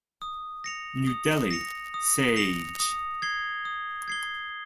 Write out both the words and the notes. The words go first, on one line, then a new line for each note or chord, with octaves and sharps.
New Delhi: Sage.
D#6
A#6 C#7 F7
D#6
A#6 C#7 F7
D#6
A#6 C#7 F7
D#6
G#6 C7 G7
D#6
G#6 C7 G7